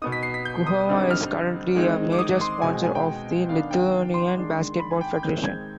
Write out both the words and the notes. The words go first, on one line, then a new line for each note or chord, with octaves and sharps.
Guoga is currently a major sponsor of the Lithuanian Basketball Federation.
B2 B3 D#4 D#6
B6
C7
B6
G6
D#6
D3 G3 C4 D#4
F6
D#3 G#3 C4 D#4
D6
D#6
C6
B2 G#3 C4 D#4 G#5
G#5
G#5
G5
D#3 B3 D4 F5
G5
C6
D#3 G#3 D4
B5
G#5
G5
D#3 G#3 C4 D#4 G6
G#6